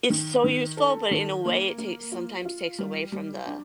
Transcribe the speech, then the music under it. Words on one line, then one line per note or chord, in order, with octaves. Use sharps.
It's so useful, but in a way, it takes sometimes takes away from the
D#3
D#3
A4
D#3
A#3
A#3
F4
F4
G3
G3
D4